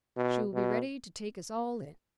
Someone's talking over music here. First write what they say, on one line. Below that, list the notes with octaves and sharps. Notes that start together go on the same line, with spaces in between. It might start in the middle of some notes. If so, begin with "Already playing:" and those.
She will be ready to take us all in.
B2
B2